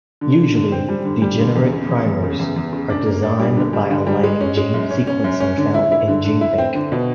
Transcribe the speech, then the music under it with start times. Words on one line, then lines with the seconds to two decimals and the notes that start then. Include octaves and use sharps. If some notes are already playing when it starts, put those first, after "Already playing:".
Usually, degenerate primers are designed by aligning gene sequencing found in GenBank.
0.21 D3
0.38 D3
0.55 D3
0.72 C4
0.89 G3
1.05 D3
1.22 G3
1.39 D3
1.55 E2
1.72 C#3
1.89 E2
2.06 E2
2.22 C#3
2.39 E2
2.56 E2
2.73 C#3
2.90 D4
3.06 A#3
3.23 D4
3.40 G3
3.57 D3
3.73 G3
3.90 D3
4.07 G3
4.24 G#3
4.41 C#4
4.57 G#3
4.74 F#2
4.91 C#4
5.07 C#4
5.24 F#2
5.40 C#4
5.58 D3
5.74 E4
5.92 E4
6.08 D3
6.25 D3
6.41 E4
6.58 C4
6.75 D3
6.92 B2